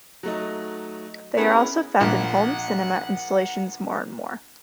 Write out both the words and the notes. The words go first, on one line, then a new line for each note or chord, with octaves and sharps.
They are also found in home cinema installations more and more.
F#3 A3 D#4
B3 C#4 E4 G#4 A#4 B4
A#1 F#5